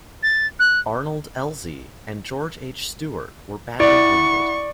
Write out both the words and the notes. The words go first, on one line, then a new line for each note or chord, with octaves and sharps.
Arnold Elzey and George H. Steuart, were badly wounded.
A6
F#6
E4 D5 F#5 C#6